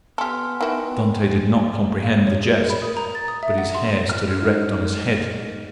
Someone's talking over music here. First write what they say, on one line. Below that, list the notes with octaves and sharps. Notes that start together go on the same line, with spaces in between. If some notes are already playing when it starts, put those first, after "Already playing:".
Dantes did not comprehend the jest, but his hair stood erect on his head.
B3 G4 A4 G#5 C6 F6
D#4 E4 F#4 A#4 G5
F5
C#5
G#4
A#4
B5
D#6
A#5
A6
D#6
E5
F#5
C6
F6
G#2